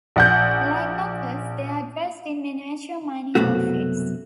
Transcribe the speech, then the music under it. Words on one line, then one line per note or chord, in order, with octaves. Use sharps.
Like Knockers, they are dressed in miniature mining outfits.
A#1 F#5 G6
C2 F#2 B2 A3 F#4